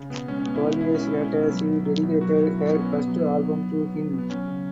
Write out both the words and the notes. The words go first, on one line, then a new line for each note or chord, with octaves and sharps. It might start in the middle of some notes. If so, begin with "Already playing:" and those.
Twelve years later she dedicated her first album to him.
Already playing: C#3
B2 B3
G#3 C#4
C#4
B2 B3
E4
G#3 C#4
B2 E4
G#3 C#4
E4
G#3
B2
F#3
B2
F#3
B2
F#3 F#4
B2
E4
F#3
B3
B2
C#4
B2 B3
F#3
B2
F#3
B2
B2
F#3
B2
B3
F#3 C#4
C#3